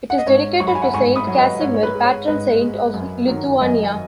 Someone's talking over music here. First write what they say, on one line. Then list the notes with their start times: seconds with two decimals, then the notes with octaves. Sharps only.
It is dedicated to Saint Casimir, patron saint of Lithuania.
0.10 F#5
0.18 D#5
0.26 G#2 C#5
0.60 F#3 C#6
0.67 B5
0.75 G#5
0.82 F#5 B5
0.94 G#2 G#5 C#6
1.16 B5 D#6
1.27 F#3
1.38 B4 D#5
1.60 G#2 C#5
1.74 C#5
1.83 B4
1.94 G#3
2.05 C#5
2.28 G#2 B4 D#5
2.61 G#3
2.94 F#2
3.28 D#3 F#3
3.61 F#2 D#5 G#5
3.83 G#5